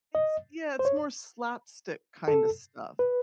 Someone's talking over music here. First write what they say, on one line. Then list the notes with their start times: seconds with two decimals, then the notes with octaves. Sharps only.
It's yeah, it's more slapstick kind of stuff,
0.15 D#5
0.79 C5
0.85 C#5
2.28 A4
2.99 B4